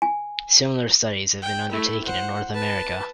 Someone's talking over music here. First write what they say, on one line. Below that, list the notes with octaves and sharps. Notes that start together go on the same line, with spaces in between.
Similar studies have been undertaken in North America.
G#5
G5
A3 E4
C5 F#5
B4 A5